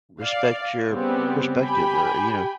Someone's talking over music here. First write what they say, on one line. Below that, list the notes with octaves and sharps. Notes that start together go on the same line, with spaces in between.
respect your perspective or, you know,
D5 F5
C#3 G3 B3 C4 G4
G4 G5 G#5 B5